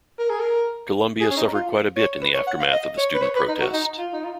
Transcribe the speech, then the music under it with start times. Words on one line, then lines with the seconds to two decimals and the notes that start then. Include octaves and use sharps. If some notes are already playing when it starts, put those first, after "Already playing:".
Columbia suffered quite a bit in the aftermath of the student protest.
0.19 A#4
0.30 G#4
0.40 A#4
1.20 G#4
1.30 C#4
1.37 D#4
1.54 F4
1.96 C#5
2.22 B4
2.34 C#5
2.47 F#5
2.60 F5
2.72 D#5
2.97 C#5
3.14 B4
3.22 C#5
3.36 B4
3.48 D#4
3.61 F#4
3.73 D#4
3.98 F4
4.13 D#4
4.24 F4